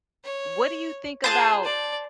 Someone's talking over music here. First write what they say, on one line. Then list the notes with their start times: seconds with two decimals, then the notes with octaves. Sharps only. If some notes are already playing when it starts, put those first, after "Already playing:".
What do you think about
0.24 C#5
1.24 F4 G#4 C5 A5 F#6
1.64 D5